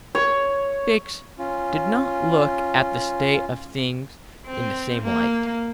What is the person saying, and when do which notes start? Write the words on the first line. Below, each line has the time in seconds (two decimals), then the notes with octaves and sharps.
Fix did not look at the state of things in the same light.
0.15 C#5
1.39 C#4 F4
4.46 C4
5.03 A#3